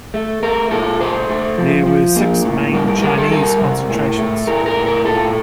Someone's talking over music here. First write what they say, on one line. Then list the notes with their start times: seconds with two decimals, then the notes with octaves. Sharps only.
There were six main Chinese concentrations.
0.14 A3
0.43 A3 A#4
0.71 A#2 A4
0.99 A3 C5
1.29 A3
1.58 F3
1.86 F3
2.16 A#3
2.45 A2
2.73 G3 A#4
2.88 A#4
3.02 G3 A#4
3.18 A4
3.31 G3 A#4
3.61 C3
3.89 A2
4.18 A3
4.47 A2 A#4
4.66 A#4
4.76 A2
4.86 A#4
5.05 A#2 A4